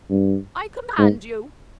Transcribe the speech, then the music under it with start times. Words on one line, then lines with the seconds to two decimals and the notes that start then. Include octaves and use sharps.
"I command you!"
0.10 G2
0.99 G#2